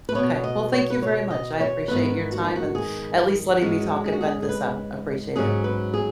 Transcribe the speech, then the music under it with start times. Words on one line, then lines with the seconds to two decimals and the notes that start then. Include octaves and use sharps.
Okay. Well, thank you very much, I appreciate your time and at least letting me talk and vent this out, appreciate it.
0.09 B4
0.15 B2 B3 C#5
0.44 D#5
0.73 C#5
0.90 B4
1.02 C#5
1.30 D#5
1.60 C#5
1.88 G#2 D#3 B3 B4
2.32 F#4
2.44 D#4
2.56 F#4
2.75 G#4
3.62 G#2 G#3 C#4 F#4
4.06 G#4
4.13 F#4
4.21 G#4
4.42 G#4
4.49 B4
5.36 G#2 F#3 C#4 G#4
5.64 B4
5.94 G#4